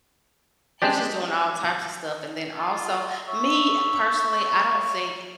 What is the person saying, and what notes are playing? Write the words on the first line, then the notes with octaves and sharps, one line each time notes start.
he's just doing all types of stuff, and then also me, personally, I don't think
G#3 D4 G4 D5
F4
C#5 E5